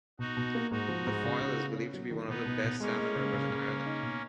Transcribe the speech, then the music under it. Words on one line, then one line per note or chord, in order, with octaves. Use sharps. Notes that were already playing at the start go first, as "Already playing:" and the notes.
The Foyle is believed to be one of the best salmon rivers in Ireland.
B2 D#4 F#4
B2
A#3
G#2 D#4 F#4
F3
G#2
C#3
C#3
B3
C#4
F#3
D#3
B2 B3 D#4
B2
B2
G#3 A#3 C#4
G#3
C#3
C#3
C#3
C#3
D#4
B2